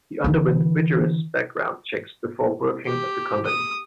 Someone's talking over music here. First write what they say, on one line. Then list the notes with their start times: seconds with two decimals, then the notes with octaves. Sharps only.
He underwent rigorous background checks before working at the company.
0.24 D3 E3
2.85 G4
3.46 D#6